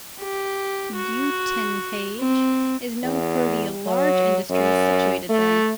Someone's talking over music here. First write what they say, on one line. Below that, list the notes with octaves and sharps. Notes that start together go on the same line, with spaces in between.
Uitenhage is known for the large industries situated there.
G4
F#4
C4
E2
F#3
F#2
A3